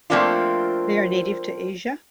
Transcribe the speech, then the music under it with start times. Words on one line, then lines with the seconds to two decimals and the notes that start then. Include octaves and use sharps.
They are native to Asia.
0.10 F3 A3 A#3 C4 D4 F4